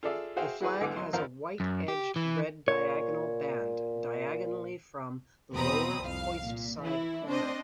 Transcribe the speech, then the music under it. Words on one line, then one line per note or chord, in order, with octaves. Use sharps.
The flag has a white-edged red diagonal band diagonally from the lower hoist-side corner.
F4 G#4 A4 D5 E5
F#4 G#4 C5 E5 F5 G5
E4 F#4 G#4 B4
B1 D3 E3 G#3 F#5 D6
F#3 D#4 C6
F2 D#3 F3 A#4 C5 F5
F#2
G4
E3
A#2 C#5
E2 B2 C4 A#5 B5 D#6
C2 F2 F5
A#2
E3 E4
C4 D4 C5 D#5